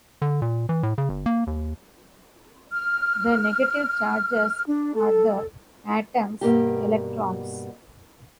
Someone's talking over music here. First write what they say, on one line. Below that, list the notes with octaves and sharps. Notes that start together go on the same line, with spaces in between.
The negative charges are the atoms' electrons.
D3
A#2
E3
A2
C#3
G1
A#3
D#2
F6
D4
A4
G2 B2 A#3 G4